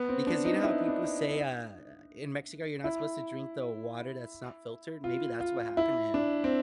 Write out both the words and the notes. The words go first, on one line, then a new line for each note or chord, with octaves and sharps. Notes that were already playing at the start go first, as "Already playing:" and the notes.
because you know how people say, uh, in Mexico, you're not supposed to drink the water that's not filtered, maybe that's what happened to him.
Already playing: B3
C4
D4
D#4
E4
D4
E4
F4
F4
E4
D4
C4